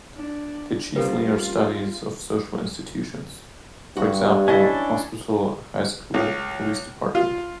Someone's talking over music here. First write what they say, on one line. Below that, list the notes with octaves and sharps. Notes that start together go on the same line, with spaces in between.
They chiefly are studies of social institutions: for example, hospital, high school, police department.
D4
G3 A#3 C4 C#4 F4 A4 B4
G2 G3 F#4
C#4 D4 E4 A4 D#5
C#2
F4